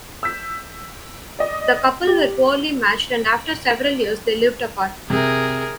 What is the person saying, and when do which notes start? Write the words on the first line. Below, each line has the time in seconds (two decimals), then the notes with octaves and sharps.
The couple were poorly matched and after several years they lived apart.
0.23 E6 G6 B6
1.39 D5 D#5
2.07 G4
5.10 C3 G#4 A#4